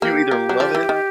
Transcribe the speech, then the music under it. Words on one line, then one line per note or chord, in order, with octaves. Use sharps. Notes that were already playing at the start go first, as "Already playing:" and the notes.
you either love it,
A#3 G4
A#3
F#3
F3
E3
D#3